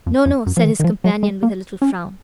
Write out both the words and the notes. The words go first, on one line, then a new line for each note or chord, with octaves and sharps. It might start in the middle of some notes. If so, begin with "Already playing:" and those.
"No, no," said his companion, with a little frown.
F2
F2
F#2
F3
D#3
D#3
F3
F#3
G#3
A#3
C#4